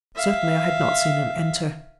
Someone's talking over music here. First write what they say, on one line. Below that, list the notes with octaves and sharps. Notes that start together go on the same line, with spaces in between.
Certainly, I had not seen him enter.
E5 F5